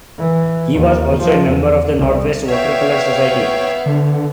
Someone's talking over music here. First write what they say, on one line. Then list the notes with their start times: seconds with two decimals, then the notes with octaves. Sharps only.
He was also a member of the Northwest Watercolour Society.
0.18 E3
0.73 D#2
1.17 F3
1.48 E2
1.95 C2
2.48 B3 C#5 E5 F5 G5
3.86 D3